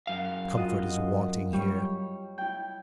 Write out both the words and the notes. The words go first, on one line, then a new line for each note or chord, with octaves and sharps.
Comfort is wanting here.
F#2 F5
F4 F#4 D#5
G3 C#5
E4 G5